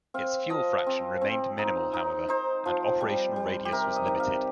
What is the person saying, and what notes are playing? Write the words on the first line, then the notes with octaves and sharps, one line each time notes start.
Its fuel fraction remained minimal, however, and operational radius was limited.
C4 F5
F3 D#5
C4
C4
D#4
D#4
D#4 C5
F3
G3
G3
G4
C3 A#4
D#5
D#3
F5